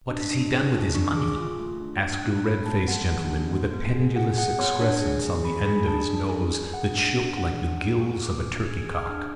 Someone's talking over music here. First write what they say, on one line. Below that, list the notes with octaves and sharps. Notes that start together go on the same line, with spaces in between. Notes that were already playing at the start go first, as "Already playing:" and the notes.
"What has he done with his money?" asked a red-faced gentleman with a pendulous excrescence on the end of his nose, that shook like the gills of a turkey-cock.
D4
D4
G#4
D4
D4 C#6
G#4 D6
F4
A3
D4
D4
B3 F#6
D4 B5
B3 A5
B3 F#5
G#4
D4
B3
B3
G#4
G#4 F#5
G#4 F#5
B3 C#5
D4 C#5
G#4
G#4
G#4 B5
G#4 B5
D4 A5
D4
G#4
G#4
G#4 F#5
D4
D4
G#4 F#5
D4
G#4
G#4 C#6
G#4 D6
D4 F6
G#4 G#6
G#4
F6
D4